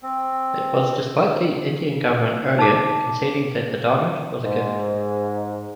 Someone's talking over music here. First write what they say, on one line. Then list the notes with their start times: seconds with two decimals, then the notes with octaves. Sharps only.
It was despite the Indian Government earlier conceding that the diamond was a gift.
0.03 C4
2.59 D#4 A5 D6
4.44 G#2